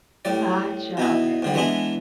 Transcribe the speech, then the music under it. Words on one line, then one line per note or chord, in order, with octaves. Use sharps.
Gotcha. Okay.
A2 G3 D5
B2 D#4 E4
G#2 D3 G3
E3 G#3 B3 D4 E4